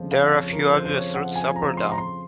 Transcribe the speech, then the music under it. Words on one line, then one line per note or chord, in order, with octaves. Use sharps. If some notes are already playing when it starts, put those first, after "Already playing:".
There are few obvious routes up or down.
Already playing: F2 C#3 F3
F5
C#5
A#4
C5
C5
C#5
F#5
G#5
A#5
C6
A#5
C6